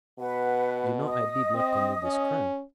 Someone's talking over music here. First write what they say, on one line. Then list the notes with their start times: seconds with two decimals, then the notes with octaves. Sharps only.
"You know I did not commit this crime."
0.19 B2 B4 F#5
1.07 D#5 D#6
1.54 C4
2.04 C#4